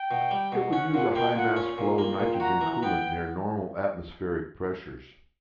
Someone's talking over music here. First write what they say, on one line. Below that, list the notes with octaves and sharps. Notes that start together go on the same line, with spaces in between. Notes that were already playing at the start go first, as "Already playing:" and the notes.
It would use a high mass-flow nitrogen coolant near normal atmospheric pressures.
Already playing: G5
B2
G3
B2
C#4 F#5
A#2 F#5
A#3 G5
A#2 F#5
C#4
A#2
A#3
A#2
G5
F#4 A#5
E3
A#5
B3 G5